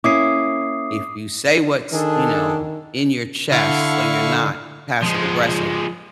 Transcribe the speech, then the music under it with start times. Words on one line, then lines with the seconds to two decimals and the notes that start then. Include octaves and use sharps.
if you say what's, you know, in your chest so you're not passive aggressive,
0.04 A#3 C#4 E4 D6 D#6 C7
1.92 D#3 D4 G#4 A4
3.52 D3 E4 F5 C#6
5.02 F3 G#3